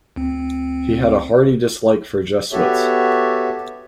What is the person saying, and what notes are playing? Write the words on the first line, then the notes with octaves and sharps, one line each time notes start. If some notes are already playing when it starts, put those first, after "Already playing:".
He had a hearty dislike for Jesuits.
D2 C4
B3 F#4 G4 A4 C#5 E5